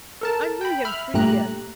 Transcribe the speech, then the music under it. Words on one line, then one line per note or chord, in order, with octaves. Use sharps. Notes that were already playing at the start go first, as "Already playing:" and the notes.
I knew him three years.
A4 A#4 A5
G5 B5
E5 B5 F6
G2 A#2 A3 G4 A#5 F#6